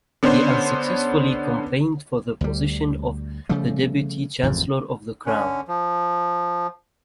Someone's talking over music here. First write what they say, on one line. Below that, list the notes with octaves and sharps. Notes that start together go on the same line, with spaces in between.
He unsuccessfully campaigned for the position of the Deputy Chancellor of the Crown.
D3 B3 C#4 D4 C5
D2 G3
C#3 F3 G3 A3
A1 F2 G#2
D3 C#4
F3